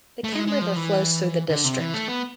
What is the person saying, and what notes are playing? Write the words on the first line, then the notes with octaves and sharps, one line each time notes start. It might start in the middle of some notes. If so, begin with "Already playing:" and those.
The Ken River flows through the district.
A3
G#3
G#3
F3
E3
D3
C3
E3
A3
B3